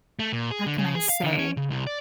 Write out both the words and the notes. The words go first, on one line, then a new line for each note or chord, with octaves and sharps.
how can I say?-
A3
A#2
G#4
D3
C#3
G#4
F5
D3
C#4
C#3
C2
D5